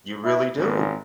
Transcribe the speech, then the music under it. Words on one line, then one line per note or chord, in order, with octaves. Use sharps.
You really do.
E4
G#1